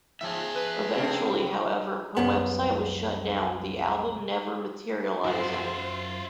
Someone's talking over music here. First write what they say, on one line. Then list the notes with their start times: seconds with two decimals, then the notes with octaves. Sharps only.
Eventually, however, her website was shut down, the album never materializing.
0.21 G#2 F3 G#4 E5
0.55 B4
0.94 C3 A3 C4
2.17 C2 F#2 B3
5.25 F#2 F4 F#4 C5 E5